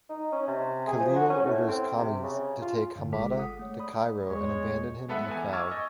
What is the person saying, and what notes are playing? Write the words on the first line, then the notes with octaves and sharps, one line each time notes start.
Khalil orders Khamis to take Hamada to Cairo and abandon him in the crowd.
D#4
C#4
C3
G#4
F3
F#4
C#4
A2
C4
C3
C#3
F4
G2 D3
G1 G#3 G#4 A4 D6 B6
F#5 D#6
A3 C#5
D5 B5 D#6
E2 G#3 C#5
G#3 B3 A4 B4 E5 F#5
E2 G#5
C#6 D6 E6 F6 G#6 A6
D#5 C#6